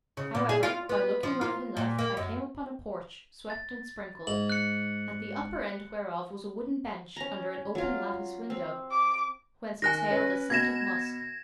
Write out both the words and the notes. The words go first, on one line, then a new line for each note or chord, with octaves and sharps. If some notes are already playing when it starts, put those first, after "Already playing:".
However by looking right and left I came upon a porch swept and sprinkled, at the upper end whereof was a wooden bench under an open lattice-window, whence exhaled a scent of musk.
C#3
A#2
G#4
F4
B3
F3
F4
A#2
A#3
F#2
A6
G#2 F#7
F#6 C#7
C#4 A#5
F#3 F4
C4
D6
D#3 G#5 F#6 A#6
C#4 B4
B2 G#6 A#6 E7